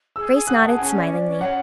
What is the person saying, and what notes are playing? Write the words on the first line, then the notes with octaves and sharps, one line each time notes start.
Grace nodded smilingly.
G#4 E6
G#4
F#5 F#6
G#4 A5
C#4 G#5
D5
D5
C#4
C#5 F#5